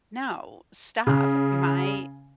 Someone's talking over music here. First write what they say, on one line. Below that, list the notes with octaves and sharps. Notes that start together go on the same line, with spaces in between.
No. Stop. My
C#3